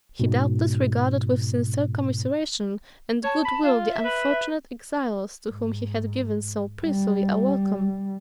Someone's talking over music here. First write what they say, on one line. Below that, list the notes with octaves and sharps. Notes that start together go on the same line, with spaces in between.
He doubtless regarded with sincere commiseration and good will the unfortunate exiles to whom he had given so princely a welcome.
G#2 B2
C#5 A5
B5
F4
E5
B4
G#2
G3